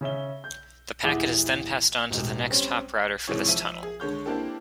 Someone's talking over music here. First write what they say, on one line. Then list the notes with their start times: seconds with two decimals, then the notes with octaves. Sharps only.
The packet is then passed on to the next hop router for this tunnel.
0.01 C#3 C#4 E5 G7
0.44 G6
1.03 D#1 E3 G#4 E5 F#5 D6
2.10 E1 A1
2.50 G3 C4 C#4
3.28 G#1 G#2 C3 E3 G#4 C#5
3.48 F3 E5 D#7
3.83 G#4
4.00 D3 G#3 C#5 G6
4.26 A#3 C4 D4 E4 G4 A4